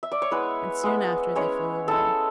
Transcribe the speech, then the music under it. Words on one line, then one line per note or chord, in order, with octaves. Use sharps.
And soon after they flew away.
E5
D5
C#5
G#3 B3 E4 B4
G#3 B3 E4
G#3 C#4 E4 C#5
G#3 C#4 E4 A4